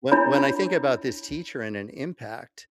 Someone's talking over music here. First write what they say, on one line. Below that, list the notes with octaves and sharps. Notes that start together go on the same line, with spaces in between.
wh when I think about this teacher and an impact,
D4 E4 F4 C#5 B5